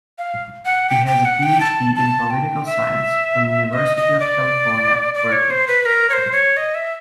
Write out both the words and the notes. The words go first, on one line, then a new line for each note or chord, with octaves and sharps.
He has a Ph.D. in political science from University of California, Berkeley.
F5
F#5
G5
G5
F#5
G5
A5
A5
G5
E5
D#5
D#5
D5
D5
C#5
C5
B4
A#4
C#5
C5
C#5
D#5
E5